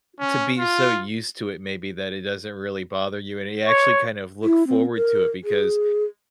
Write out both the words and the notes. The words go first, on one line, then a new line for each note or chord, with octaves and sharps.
to be so used to it maybe that it doesn't really bother you, and ya actually kind of look forward to it, because,
C#4
F4
C#5
E4
C4
A#4
G#4